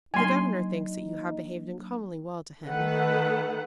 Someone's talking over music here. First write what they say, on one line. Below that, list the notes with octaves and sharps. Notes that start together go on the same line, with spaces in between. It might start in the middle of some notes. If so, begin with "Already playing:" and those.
"The governor thinks that you have behaved uncommonly well to him."
F#3 A#3 D4 D#4 G#5 C6
D#3 A3 A4 B4 F#5